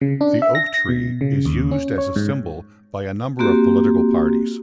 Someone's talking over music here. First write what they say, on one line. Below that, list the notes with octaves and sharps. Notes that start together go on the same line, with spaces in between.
The oak tree is used as a symbol by a number of political parties.
C#3
D4
E5
A#6
A#6
B2
C#3
D#2
C#4
C#5
G#2
A#3 C4 F#4 G4